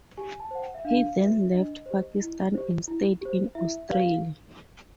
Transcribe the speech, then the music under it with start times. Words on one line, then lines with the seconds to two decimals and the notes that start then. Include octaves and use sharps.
He then left Pakistan and stayed in Australia.
0.17 G4 G#5
0.40 A5
0.51 C5 F#5
0.62 G5
0.75 E5
0.85 D4 F5
1.18 F#4 B4 E5
1.52 D4 D#5
1.86 G4 C5
2.20 E4
2.54 G4 C5
2.88 E4
3.21 G4 C5
3.55 E4 E5
3.89 G4 B4 D5 F5